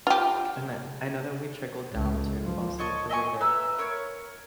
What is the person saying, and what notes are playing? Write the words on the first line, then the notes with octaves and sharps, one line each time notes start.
And that I know that we trickled down to also the way that
F4 G4
C#2
F3
C#5 D#5 A5 C#6
D#5 E5 G#5 C#6
B4 E5 A#5 E6
A#4 C#5